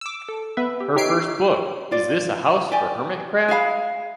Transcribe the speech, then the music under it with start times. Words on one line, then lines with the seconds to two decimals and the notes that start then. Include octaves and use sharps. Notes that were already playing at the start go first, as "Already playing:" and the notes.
Her first book, Is This a House for Hermit Crab?
0.01 D6 E6
0.29 A4
0.57 B3 B4 E5
0.80 G4
0.96 D#4 G4 C#5 E5 C7 D7
1.91 F4 D5
2.72 G4 D5 G#5
3.48 G#4 E5 F5 B5